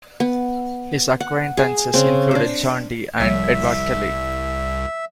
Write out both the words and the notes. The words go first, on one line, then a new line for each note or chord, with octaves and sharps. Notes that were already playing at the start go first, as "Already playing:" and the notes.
His acquaintances included John Dee and Edward Kelley.
B3
F#5
G#4
C#3 C4
D4 C5
C2 F3 G3 C#5 E5